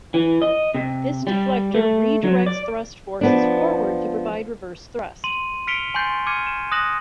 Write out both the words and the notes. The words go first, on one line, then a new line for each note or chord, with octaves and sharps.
This deflector redirects thrust forces forward to provide reverse thrust.
E3
D#5
C3
G3
A3
F#3
D5
F3 B3 D4
C6 D#7 F#7
F6 B6 C#7 D7 F7 G7
G#5 C6 C#6 G6 A6 C7
D6 F6 G#6 C#7 D#7
E7
D#6 F#6 A#6 E7 F#7